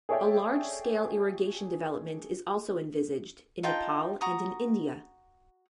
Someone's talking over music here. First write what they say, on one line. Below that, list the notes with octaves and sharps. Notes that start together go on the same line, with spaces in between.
A large-scale irrigation development is also envisaged- in Nepal and in India.
G#4 A4 C#5 D5 E5 G5
D#4 F4 G5 A5
F#4 A#5 D#6